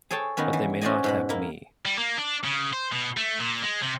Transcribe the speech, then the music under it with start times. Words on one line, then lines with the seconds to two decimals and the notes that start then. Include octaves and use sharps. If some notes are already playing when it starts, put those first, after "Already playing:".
But they may not have me.
0.11 G#4 A4 C#5 G5 A5
0.37 D#3 A#3 B3 C#4
0.53 E3
0.81 C#4 F#4 C5 D5 D#5 G#5
1.04 G#2 B2 B5
1.29 A#3 E4
1.85 G3
1.98 A#3
2.18 D4
2.44 C#3
2.73 C5
2.92 B2
3.17 A3
3.40 A#2
3.62 G#3
3.82 C3